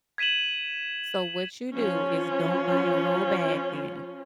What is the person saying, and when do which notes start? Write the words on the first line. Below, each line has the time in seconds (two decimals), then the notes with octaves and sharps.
So what you do is don't buy a whole bag then,
0.18 G#6 B6 D#7 E7 F#7
1.76 F3 C#4 F4